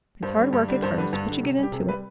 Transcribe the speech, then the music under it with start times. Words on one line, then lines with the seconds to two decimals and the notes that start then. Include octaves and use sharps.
It's hard work at first, but you get into it.
0.23 G2 C5
0.39 D3 G3
0.53 G2
0.68 D3 G3
0.82 G2 C5
0.98 D3 G3 B4
1.13 G2
1.28 D3 G3
1.43 C3
1.58 G3 G4
1.73 C3 G#4
1.88 G3 B4